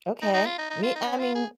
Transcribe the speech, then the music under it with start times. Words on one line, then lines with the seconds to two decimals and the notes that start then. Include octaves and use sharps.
Okay. Me I mean,
0.22 D#4
0.34 D#4
0.46 F4
0.58 D#4
0.70 D#4
0.83 F4
0.96 D#4
1.07 C#4
1.19 F4
1.35 G#4